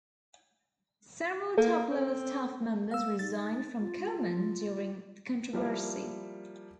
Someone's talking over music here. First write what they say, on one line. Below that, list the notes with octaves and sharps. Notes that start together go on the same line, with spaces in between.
Several top-level staff members resigned from Komen during the controversy.
A#3 A4
C4
F5 E6
D#4 A6
F4
F3 G3 A#3 E4